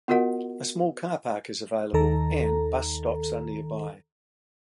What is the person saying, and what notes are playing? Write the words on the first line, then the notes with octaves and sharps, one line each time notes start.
A small car park is available, and bus stops are nearby.
B3 F4 F#4 A#4 D#5 F#5
D#2 D#3 A4 A#5